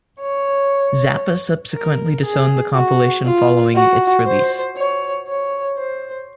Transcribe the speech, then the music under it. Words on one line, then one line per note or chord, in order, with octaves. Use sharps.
Zappa subsequently disowned the compilation following its release.
C#5
A#4
G#4
F#4
F4
F#4
C5
C#5
C#5
C5